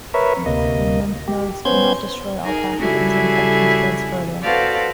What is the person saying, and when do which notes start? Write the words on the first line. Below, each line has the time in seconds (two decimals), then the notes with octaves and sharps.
When lymph nodes cannot destroy all pathogens, the infection spreads further.
0.14 A#4 B4 C#5 E5
0.46 D2 C3 A#3 D#5
1.28 G4
1.65 B3 C#4 C5 G6 G#6
2.43 D#4 G#4 A#4
2.79 C#3 G3 E4 F#4 G#4 A4
4.42 F#4 A4 B4 C5 D5 F5